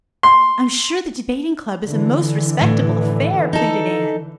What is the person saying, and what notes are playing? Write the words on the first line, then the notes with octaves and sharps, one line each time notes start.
"I'm sure the Debating Club is a most respectable affair," pleaded Anne.
C6
D3 E3
A2
D#4 A4